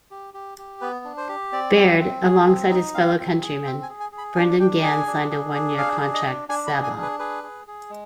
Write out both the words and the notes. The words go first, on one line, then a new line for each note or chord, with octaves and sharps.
Baird, alongside his fellow countrymen, Brendan Gan signed a one-year contract Sabah.
G4
G4
G4
B3 B4
D4
C5
G4
C4 D5
C4
C4
G#4
C4
D#4
C4 F5
C4
G#4
C4 G5
G#5
G#4
G#5
G#4
B5
D4 G#5
D4 G5
G#4 G#5
D4
G#4
D4
G#4 F5
D4
D#5
D4
D4 G#5
B5
G#4
G#5
D4
B4
G#4 B4
G#4
G#4
G#3